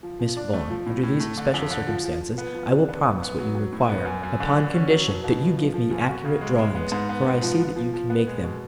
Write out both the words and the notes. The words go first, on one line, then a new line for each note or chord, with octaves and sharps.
"Miss Vaughan, under these special circumstances, I will promise what you require; upon condition that you give me accurate drawings, for I see that you can make them."
F3
F3
D4
A3
F3
A2
A2
A3
D3
F2
D3
F3
F3
F3
B3
F3
D4
B3
B3
B3
F#3
F#3
A2
B3
F#2
F#2
D3
D3
C#4
F#3
B2
B2
F3
F3
F3
F#2
F#4
C#3
G#3
G#3
B3
G#2
B3
G#2
F3
B3
F3
F3
B3
G#3
B2